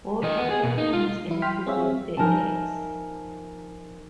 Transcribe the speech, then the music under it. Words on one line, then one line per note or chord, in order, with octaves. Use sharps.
Both parents incubate the eggs.
E3 D#5
B3
G#4
B2
D#4
F4
E3 E4
G5 C6 F6 B6
C4 G#4 C#5 E5 F5
F3 D#4 A#4 E5 G#5 A5